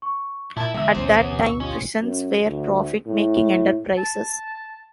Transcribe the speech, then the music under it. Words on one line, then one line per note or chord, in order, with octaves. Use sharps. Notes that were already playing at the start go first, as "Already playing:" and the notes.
At that time, prisons were profit-making enterprises.
C#6
A#2 E4 A5
E2 D3 G#3 E5 E6
A1 D2 B2 C#4 C5
C3 B3 C#4
C#6 E6
C#4 F4 G4 D#5
F#2
D2
A2
A5